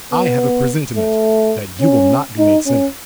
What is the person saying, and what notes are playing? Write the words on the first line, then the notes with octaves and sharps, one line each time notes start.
I have a presentiment that you will not be made senator.
B3
A3
C#4
D#4
C#4